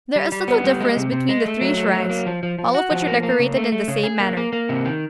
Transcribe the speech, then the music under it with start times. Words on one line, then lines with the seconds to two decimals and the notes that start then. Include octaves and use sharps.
There is little difference between the three shrines, all of which are decorated in the same manner.
0.16 G3
0.32 G3
0.48 B3
0.64 G3
0.81 G#3
0.97 C3
1.12 C3
1.29 G#3
1.45 A3
1.61 F#3
1.77 A3
1.94 F#3
2.10 A#3
2.26 F3
2.43 F3
2.59 F3
2.75 F#4
2.91 F3
3.07 A#3
3.23 A#3
3.39 C#3
3.56 A3
3.72 A3
3.88 C#3
4.04 G#4
4.20 A#3
4.37 A#3
4.53 A#3
4.69 C3
4.85 D#3